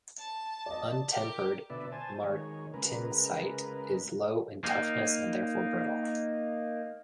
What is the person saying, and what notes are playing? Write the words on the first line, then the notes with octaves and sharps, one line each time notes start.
Untempered martensite is low in toughness and therefore brittle.
A5
D5 D#5
G4 A#4
B2 D3 B4 D5 E5
C5 G#5 A5
D#3 G#3 C#5
C#3 G#3 A#4 B4
A#3 D#4